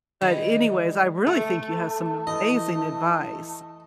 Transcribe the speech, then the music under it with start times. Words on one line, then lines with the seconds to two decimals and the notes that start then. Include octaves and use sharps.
but, anyways, I really think you have some amazing advice.
0.21 D#3 E3 G3 G#3 B3
1.27 A3 A5
2.27 E3 D#5